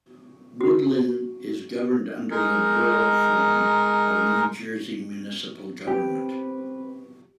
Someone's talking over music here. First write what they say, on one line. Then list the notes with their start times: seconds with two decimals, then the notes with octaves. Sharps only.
Woodlynne is governed under the Borough form of New Jersey municipal government.
0.61 F#4
2.31 G#3 D#4 A#4
5.87 C4 G4 B4